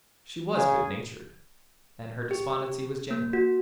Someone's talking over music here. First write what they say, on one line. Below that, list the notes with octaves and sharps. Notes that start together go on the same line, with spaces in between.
She was good-natured, and her despondency was genuine.
C#3 G#4
G4
A#3
F#4